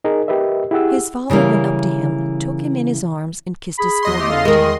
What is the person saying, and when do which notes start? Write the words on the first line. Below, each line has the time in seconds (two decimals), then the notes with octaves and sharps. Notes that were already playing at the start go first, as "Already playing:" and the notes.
His father went up to him, took him in his arms, and kissed his forehead.
0.04 D#4 G#4 A#4 D#5
0.28 G4 A#4 B4 D#5 E5
0.71 E4 G4 G#4 F#5 E6
1.30 C#3 E3 G3 A#3
3.78 G#4 B5
4.03 E2 D#5 C6
4.19 A3 G4
4.30 A4 F5
4.45 D#3 G#3 A#4